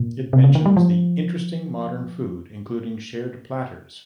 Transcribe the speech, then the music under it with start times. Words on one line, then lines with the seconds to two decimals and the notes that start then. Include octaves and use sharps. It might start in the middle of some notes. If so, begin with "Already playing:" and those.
It mentions the "interesting modern food including shared platters".
Already playing: A#2
0.33 C3
0.44 C#3
0.55 D#3
0.66 G3
0.77 F3